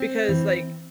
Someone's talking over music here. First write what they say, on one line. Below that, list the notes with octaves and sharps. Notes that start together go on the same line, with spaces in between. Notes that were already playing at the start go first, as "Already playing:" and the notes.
because like
Already playing: C4
E3